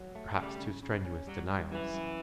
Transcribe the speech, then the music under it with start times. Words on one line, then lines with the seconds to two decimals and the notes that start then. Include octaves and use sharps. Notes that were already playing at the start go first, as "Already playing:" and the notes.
Perhaps too strenuous denials.
Already playing: F#3
0.15 A3
0.38 C#3 G3
0.60 C#3
0.83 C#3
1.05 C#4
1.26 F#3 G3
1.49 G3
1.71 F#2 E3
1.94 F#2